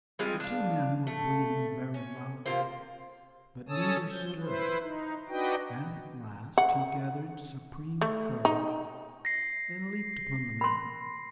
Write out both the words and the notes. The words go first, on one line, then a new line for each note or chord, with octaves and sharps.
The two men were breathing very loudly, but neither stirred; and at last he gathered supreme courage, and leaped upon the meat.
G3 G#3 C4 F4
D4 F5
A3
C#4
C3 A#3 F4 C5
C#4 A4 C#5 A5 D#6 E6
F3 G6
E4 B4 C5
D#4
D4 D#4 F#4 B4 D#5 G5
F#5
A3
D#4
A#6 C7
B5 C6